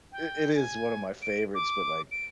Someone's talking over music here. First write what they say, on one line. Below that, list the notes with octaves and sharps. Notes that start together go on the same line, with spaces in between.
I It is one of my favorites, but, like,
G5
G#5
D7
D6
D7